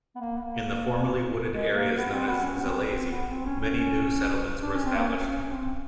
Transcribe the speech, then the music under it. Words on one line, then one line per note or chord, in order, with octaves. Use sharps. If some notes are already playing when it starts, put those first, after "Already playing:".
In the formerly wooded areas, known as Zalesye, many new settlements were established.
B3
A#3
B3
A#3
G#3
A#3
B3
C4
B3
C#4
B3
C4
C4
B3
C4
C#4
C#4
D4
C#4
C4
A#3
C#4
C#4
C#4
C4